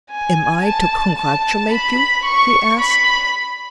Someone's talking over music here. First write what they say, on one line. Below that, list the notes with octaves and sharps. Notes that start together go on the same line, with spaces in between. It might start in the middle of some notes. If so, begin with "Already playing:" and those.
"Am I to congratulate you?" he asked.
G#5
A5
A5
B5
C#6
B5